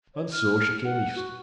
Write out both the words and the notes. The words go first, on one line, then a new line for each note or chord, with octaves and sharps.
And so she came east.
C#5
F6
F#5
F#4